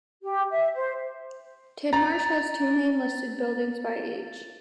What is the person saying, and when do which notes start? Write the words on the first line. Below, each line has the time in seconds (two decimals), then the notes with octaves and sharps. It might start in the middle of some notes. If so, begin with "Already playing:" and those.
Tidmarsh has two main listed buildings by age.
0.23 G4
0.50 E5
0.74 C5
1.93 A#5 A6